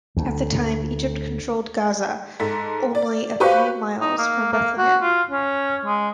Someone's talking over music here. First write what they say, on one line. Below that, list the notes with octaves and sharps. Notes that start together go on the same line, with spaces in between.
At the time Egypt controlled Gaza, only a few miles from Bethlehem.
D2
G#2 A4 B6
D5
F#4 G4 B4 C5 F5 C#6
D#4
A#3
A#3
F#4
F4
C#4
G#3